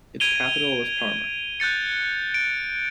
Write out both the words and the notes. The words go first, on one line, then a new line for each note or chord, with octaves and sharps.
Its capital was Parma.
G#6 D7 D#7 F7 G7
F#6 G6 A6 C#7
D7